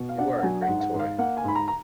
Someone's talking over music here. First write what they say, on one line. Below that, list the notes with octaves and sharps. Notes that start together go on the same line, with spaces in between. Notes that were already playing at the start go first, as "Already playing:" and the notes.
You are a great toy!
Already playing: B2
F5
D4 F#5
F#5
F#3 G#5
F#5
G#2
F#5
G#2
F5
A#3 F#5
G#5
G#2 B5
A#5
A#5